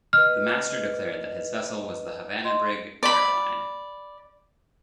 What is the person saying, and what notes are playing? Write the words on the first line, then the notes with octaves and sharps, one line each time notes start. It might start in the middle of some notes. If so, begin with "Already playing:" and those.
The master declared that his vessel was the Havana brig "Caroline".
B4 D#5 F6
D#5 C6
D5 B5